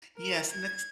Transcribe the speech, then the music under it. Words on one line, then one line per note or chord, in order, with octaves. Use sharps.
Yes, and that's
A#4
G#6